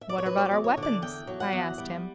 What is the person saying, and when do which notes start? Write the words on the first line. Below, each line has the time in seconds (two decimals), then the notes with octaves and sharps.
"What about our weapons?" I asked him.
0.01 E5
0.09 D5
0.18 C#5
0.26 F#3 B4
0.37 C#5
0.45 D5
0.51 E2
0.64 C#5
0.77 D3
0.83 D5
1.02 E2 G5
1.27 F#3
1.40 F#5
1.53 E2
1.78 G3